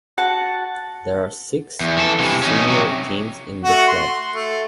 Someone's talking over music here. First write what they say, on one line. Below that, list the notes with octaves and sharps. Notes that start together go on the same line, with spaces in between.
There are six senior teams in the club.
F#4 F#5 A5
E2
E3 A4
C3 E3
C#4 D#4
C3 F#3
A3 F#4 F#5
C6
A3